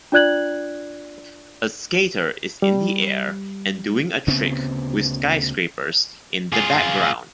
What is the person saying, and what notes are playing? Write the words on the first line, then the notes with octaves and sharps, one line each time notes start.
A skater is in the air and doing a trick with skyscrapers in the background.
D4 F4 D5 F#6 G#6 F#7
G3
D2 C#3 B3 C4
F4 G#4